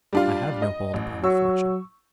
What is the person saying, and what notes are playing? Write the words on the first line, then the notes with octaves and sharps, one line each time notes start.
"I have no hold upon her fortune."
G3 D4 F4
D#5
A1
F#3 C#6 E6